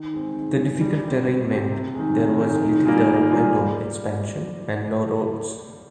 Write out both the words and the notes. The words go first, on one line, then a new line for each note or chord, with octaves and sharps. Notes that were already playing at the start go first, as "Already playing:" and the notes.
The difficult terrain meant there was little development or expansion, and no roads.
Already playing: D#3
G#3 C4
D#3
G#3 C4
G3
C4 G4
G3
C4 G4
C3
D#3 G#3
C3
D#3 G#3
D#3
G3 A#3 F4 G#4
D#3
G3 A#3 F4 G#4
G3